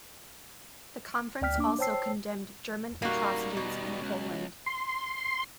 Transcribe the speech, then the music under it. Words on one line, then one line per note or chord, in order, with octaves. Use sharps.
The conference also condemned German atrocities in Poland.
D2 D5 G5 F6 B6
A#3 D4 D6
C5 C#5 G5 A5 E6 C7
G3 A#3 D#4 F#4
B2
C#2
C6